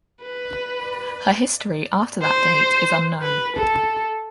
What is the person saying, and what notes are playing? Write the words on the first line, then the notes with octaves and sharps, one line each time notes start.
Her history after that date is unknown.
B4
C5
B4
A4